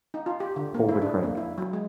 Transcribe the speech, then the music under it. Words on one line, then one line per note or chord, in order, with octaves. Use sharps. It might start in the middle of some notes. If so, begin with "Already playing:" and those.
Pull the crank.
D#4
F4
G4
D3
A#3
E4
D4
A#3
E4
F#3
G#3